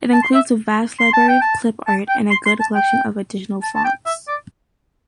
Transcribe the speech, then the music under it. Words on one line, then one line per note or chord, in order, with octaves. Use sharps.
It includes a vast library of clip-art, and a good collection of additional fonts.
A5
C6
E5
C6
A5
G5
A5
A5
G5
C6
C6
A5
G5
A5
A5
G5
E5
D5